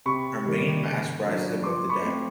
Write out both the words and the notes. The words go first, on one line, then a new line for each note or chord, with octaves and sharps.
Her main mast rises above the deck.
C3 B5 C#6
D#3 G3 A#3
C#3
F#3 A#3 D4
F3 C6 D6
B5 C#6
A3 C4